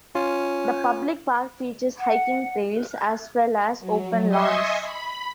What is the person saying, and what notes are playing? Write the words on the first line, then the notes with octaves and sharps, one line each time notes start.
The public park features hiking trails, as well as open lawns.
C#4 F4
F#5
F#3
D#5 E5 G#5 C6 C#6 D#6
B5